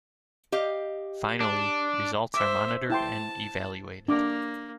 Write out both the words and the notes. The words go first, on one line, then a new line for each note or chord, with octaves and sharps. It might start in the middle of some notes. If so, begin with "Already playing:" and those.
Finally, results are monitored and evaluated.
G4 D#5 F5
D4
C5 E5 D6
E4 G5 A5 C6
A#3 D4 D6